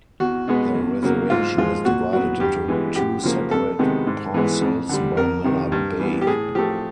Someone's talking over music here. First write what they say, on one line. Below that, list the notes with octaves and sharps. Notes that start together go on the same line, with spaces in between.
The reservation is divided into two separate parcels by Miller Bay.
E2 F#4
B2 G#3 B3
E2
C#3 F#3 A#3
G#2 F4
F3 G#3 F4
A#2 F#4
F#3 B3 F#4
G2 G4
E3 G#3 B3
F#2 G4
C#3 F3 A#3
F2 A4
C3 D#3 G#3 B3
G#2
E3 G#3 B3
F2
D3 G3
F2 A#4
C3 D#3
G2
E3 G3 B3
G4
A2 G#4
F3 A3 G4